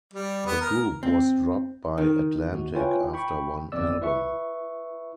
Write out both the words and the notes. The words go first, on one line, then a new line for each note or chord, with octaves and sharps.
The group was dropped by Atlantic after one album.
G3
B3
A#4
C4
D#3
D#2 F#4
E4 F4 B4 C#5 G5 G#5
G5 B5 C#6
G1 F2 B3 D5 E6
E4 B4 E5 C#6